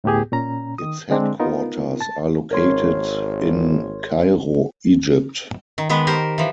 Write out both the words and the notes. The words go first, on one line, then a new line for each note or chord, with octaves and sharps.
Its headquarters are located in Cairo, Egypt.
D2 A2 B3 G4 G#4
A#2 C#4 A#5
D#3 D#6
D3 G#3 C4 D4
B3 D#4 F4 A#4
A5 A6
G#1 A#4 C#5 C6
D#3
D#3 G#3 B3 B4
G4 A#4 C5
E3 F3